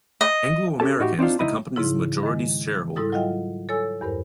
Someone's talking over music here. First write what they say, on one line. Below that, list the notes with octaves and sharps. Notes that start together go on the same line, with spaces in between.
Anglo American is the company's majority shareholder.
D#5
C#4 G4 A4 A5
A2 D#4 F#4 G4
C4 D4 D#4 F4
C#2 D#4 E4 D#5 B5
G#2 C#3 F3 D#4 E4
D#3 G#3
G#2 G3 E4 A4 D#6
F#3 F4 D#5 F5 G5
A4 C#5 G#5 E6
E2 G2 A#4 C5